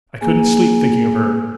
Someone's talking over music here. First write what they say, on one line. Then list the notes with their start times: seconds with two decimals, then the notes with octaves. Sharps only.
I couldn't sleep thinking of her.
0.21 A#3 G#4 G#5